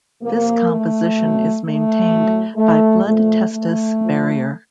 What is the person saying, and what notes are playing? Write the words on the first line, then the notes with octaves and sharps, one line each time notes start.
This composition is maintained by blood-testis barrier.
C3 F3 A#3
A3
B2 F#3
A3
A2 F#3
A3
A#2 F3 A3
A3
A2 F3